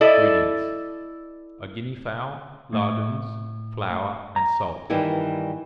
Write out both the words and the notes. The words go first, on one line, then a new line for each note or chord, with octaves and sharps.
INGREDIENTS.--A Guinea-fowl, lardoons, flour, and salt.
E4 A4 D5 D#5
A2
A#5
G2 D#3 E3 G3 A#3 E4